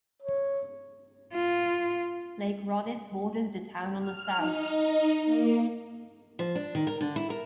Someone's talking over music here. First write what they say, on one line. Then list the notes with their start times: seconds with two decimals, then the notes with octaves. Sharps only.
Lake Rhodhiss borders the town on the south.
0.22 C#5
1.33 F4
3.99 F6
4.36 D#4
5.25 A#3
6.39 F3
6.55 D4
6.75 D#3
6.87 A#4
7.01 D3
7.16 E4
7.30 A#4